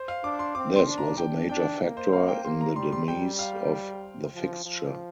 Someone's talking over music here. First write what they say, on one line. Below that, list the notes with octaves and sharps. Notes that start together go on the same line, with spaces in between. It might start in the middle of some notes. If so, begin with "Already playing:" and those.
This was a major factor in the demise of the fixture.
Already playing: C5
F5
D4 D6
C6
C4 D6
C6
D4
A#5
D4 G5
D4 G5
A#3
C5
A#3 F5
G5
A#3 C6
A#5
G3 C6
C6
G3 G5
F5
F3
F3